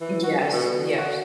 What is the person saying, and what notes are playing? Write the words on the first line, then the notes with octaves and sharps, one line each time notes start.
Yes, yes.
E3
F#4
D3
B2
D3
F#4